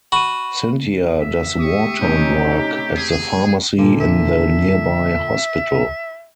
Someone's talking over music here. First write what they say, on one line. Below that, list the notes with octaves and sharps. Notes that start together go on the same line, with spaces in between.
Cynthia does war-time work at the pharmacy in the nearby hospital.
F#4 B5 D#7
E5
G4 C#6 D#6
A2 C3 C#4 D#4 G4
G#4
A#2 D3
E5